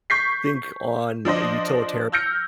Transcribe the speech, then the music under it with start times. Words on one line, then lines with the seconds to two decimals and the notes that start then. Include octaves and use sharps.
think on a utilitar
0.10 C#6 G6 B6 C7
1.25 F3 D4 C5 D#5
2.12 E6 F6 G6 A#6 C#7